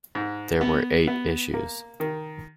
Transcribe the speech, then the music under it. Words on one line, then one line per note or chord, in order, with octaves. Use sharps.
There were eight issues.
G#2
B3
B3
A#3
D#3